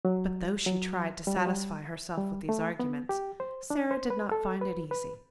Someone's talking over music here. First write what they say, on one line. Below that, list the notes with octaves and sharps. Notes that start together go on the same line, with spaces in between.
But though she tried to satisfy herself with these arguments, Sara did not find it easy.
F#3
F#3
G3
F#3
G3
G3
A3
B3
G4
C5
D4
C5
B4
A4
B4
B4